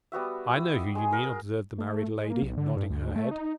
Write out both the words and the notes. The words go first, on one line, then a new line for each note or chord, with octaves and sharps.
I know who you mean,' observed the married lady, nodding her head.
G3 B3 F#4 E5
E4
D#5
G#3 G#4
A#4 C6
A#4
A3
G#3
A#3
B1
D3
G2
D2
A3
D#4